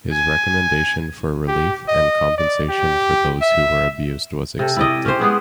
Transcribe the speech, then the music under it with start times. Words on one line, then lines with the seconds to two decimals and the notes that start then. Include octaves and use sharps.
His recommendation for relief and compensation for those who were abused was accepted.
0.13 G#5
1.48 G4
1.88 D#5
2.38 D5
2.69 G4
3.41 E5
4.59 C3 A4
4.77 E4 D5 D#5
5.05 C#4 G4 C5
5.20 G#3 B3 G#4